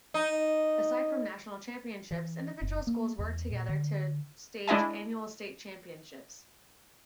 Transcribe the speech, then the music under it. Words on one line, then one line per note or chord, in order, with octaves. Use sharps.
Aside from national championships, individual schools worked together to stage annual state championships.
D#4
E3
F#1
A#3
E2
A#2
D3
G#3 D4 E4 D#5 G#5